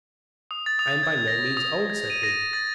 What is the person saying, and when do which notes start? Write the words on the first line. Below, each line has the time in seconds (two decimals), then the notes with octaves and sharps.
"I am by no means old," said he.
0.51 D#6
0.66 A6
0.79 D#6
1.03 G#6
1.28 A#6
1.57 D#6
1.90 G#6
2.10 D#7
2.23 A#6
2.53 A6